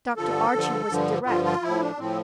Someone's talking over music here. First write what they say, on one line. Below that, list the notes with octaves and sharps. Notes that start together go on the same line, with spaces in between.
Dr. Archie was direct.
G2 D3 F3 A4
G2 D3 F3
G2 D3 F3
G2 D3 F3 F4
F4
A2 F3 E4
D4
A2 F3 C4